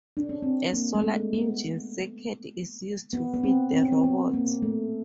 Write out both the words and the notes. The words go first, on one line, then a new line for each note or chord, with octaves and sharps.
A "Solar Engine" circuit is used to feed the robot.
D4
C#4
C4
A#3
G#3
A3
B3
B3
B3
C4
C4
C#4
C4
B3
A#3
A3